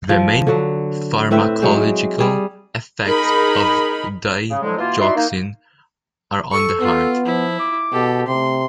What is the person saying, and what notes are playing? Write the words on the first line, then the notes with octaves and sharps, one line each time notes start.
The main pharmacological effects of digoxin are on the heart.
F3
D3 F#3
A2 C4 B4 E5
F#3 G#3 C5
G3 G#4
D#4 G#4 A#4 B5
C#3
A2 D3 F3 F#3 G#3
B2 E3 A#3 F4
D#4 E4 F#4 D5 E5 C6
A#3 D#4
A4 C#6
B3 F4
F3 E4
D6
B2 G4 A4
C3 A3 C6